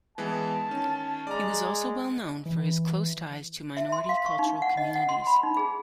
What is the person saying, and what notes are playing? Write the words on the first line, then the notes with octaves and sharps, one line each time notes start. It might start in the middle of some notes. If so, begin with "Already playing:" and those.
He was also well known for his close ties to minority "cultural communities".
E3 G#3 B3 A5
D#3 C#4
G#3 D5 A#5
E3
E5
C6
F5
C#6
D#4
F#5
D#5
F#5
C6
B5
D#4
G#4